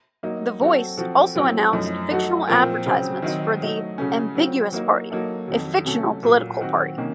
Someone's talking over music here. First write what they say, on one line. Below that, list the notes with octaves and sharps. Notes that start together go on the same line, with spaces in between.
The Voice also announced fictional advertisements for the "Ambiguous Party", a fictional political party.
F#3 A#3 D#4
F#3 C4 F#4 A4
F3 C4 F#4 A4
A2 F#3 C4
F#2 F3 A3 D#4
F#3 A3 D#4 F#4 A4
A#2 F3 C4 F4 A#4
C#3 F#3 C4
D#3 F#3 C4 D#4
F#3 A3 D#4
C#3 F#3 A3 C#4
F#3 C4 F4
F#3 A#3 D#4 A#4
F#3 A#3 D#4 A4
F2 D#3 F#3
C3 F#3 A3 C#4 A4
A#2 F#3 A#3
D#3 F#3 C4 F#4
C3 D#3 A#3 C#4